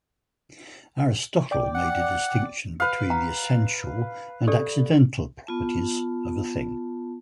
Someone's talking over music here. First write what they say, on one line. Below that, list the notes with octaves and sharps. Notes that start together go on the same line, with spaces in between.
Aristotle made a distinction between the essential and accidental properties of a thing.
D5 G5 D6
F#5
B4 F5
F#5 G5 A#5
G4 A4 D5
B3 F4 A5